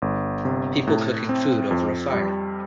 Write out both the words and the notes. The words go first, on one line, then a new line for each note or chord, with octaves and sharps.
People cooking food over a fire.
G1
C3
A2
C4
F2
G3